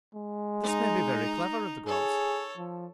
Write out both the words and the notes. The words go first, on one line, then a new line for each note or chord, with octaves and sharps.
This may be very clever of the gods.
G#3
D#4 A#5
G#4 A4 C#5
F3